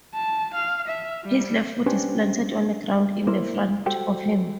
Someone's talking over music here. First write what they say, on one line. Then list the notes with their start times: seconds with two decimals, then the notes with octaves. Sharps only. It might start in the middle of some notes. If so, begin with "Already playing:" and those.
His left foot is planted on the ground in front of him.
0.14 A5
0.54 F5
0.87 E5
1.24 G3
1.86 C#4 D4 G4 B4 C5
3.27 A#3 E4 A#4 C5
3.86 F#4 G4 A4 C5 G5